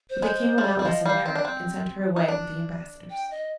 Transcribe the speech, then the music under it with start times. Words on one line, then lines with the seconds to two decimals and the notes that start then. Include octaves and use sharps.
But the King would not listen to her, and sent her away with the ambassadors.
0.10 C5
0.22 G#3
0.37 C5
0.58 F3
0.64 G3 D5
0.79 G3 D5
0.85 F3 D#5
1.04 G3 F5
1.26 C4
1.35 D4
1.45 C4
2.16 D#4
2.28 D4
3.10 G5
3.31 D#5